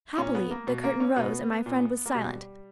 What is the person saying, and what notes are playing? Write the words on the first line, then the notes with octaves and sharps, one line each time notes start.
Happily, the curtain rose and my friend was silent.
A#2 C#4
B3
A#3
B2
A#3
C#4
B2 B3
A#2
A#3
B2 G3